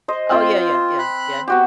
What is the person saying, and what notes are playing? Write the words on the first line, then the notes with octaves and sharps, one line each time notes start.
Oh, yeah, yeah, yeah, yeah.
C5 D#5
C4 F4 C5
B5 F#6
B3 F#4 G4